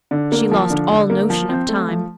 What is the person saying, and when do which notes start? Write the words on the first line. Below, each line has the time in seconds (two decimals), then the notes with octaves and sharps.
She lost all notion of time.
0.11 D3
0.32 A#3
0.52 F3
0.70 D3
0.91 D3
1.10 A#3
1.30 F3
1.49 C4
1.69 A3
1.89 F3